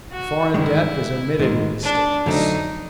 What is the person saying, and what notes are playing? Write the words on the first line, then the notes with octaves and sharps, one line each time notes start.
The foreign debt is omitted in these statements.
F#4
G2 D#3 G#3 E4
G#2 D#3 G#3
D4
F2 D3 F#3 A3 D4 D#4